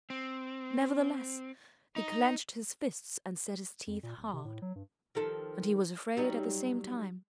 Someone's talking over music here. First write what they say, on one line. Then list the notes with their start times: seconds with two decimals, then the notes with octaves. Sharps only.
Nevertheless, he clenched his fists and set his teeth hard. And he was afraid at the same time.
0.10 C4
1.96 D#4
3.87 F2
4.03 A#2
4.17 D1
4.33 C3
4.45 A2
4.62 F#3
4.76 G2
5.15 D#3 F3 A4
6.17 F#3 G3 D#4